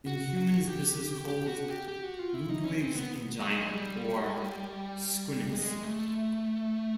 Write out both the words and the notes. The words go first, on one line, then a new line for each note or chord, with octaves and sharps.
In humans, this is called Ludwig's angina, or squinancy.
F#4
F#4
G4
G4
F#4
G4
G4
F#4
F4
E4
D#4
C#4
C4
B3
G#3
G3
G#3
A3